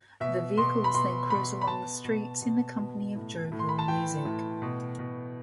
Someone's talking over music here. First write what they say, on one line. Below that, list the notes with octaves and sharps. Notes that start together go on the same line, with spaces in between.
The vehicles then cruise along the streets in the company of jovial music.
B2 E5
B2 C6
B5
B2 C6
B2 B5
B5
B2 A5
B2
B2
B2
A2
A2
C6
B5
A5
E3 G5
A2
B2
B2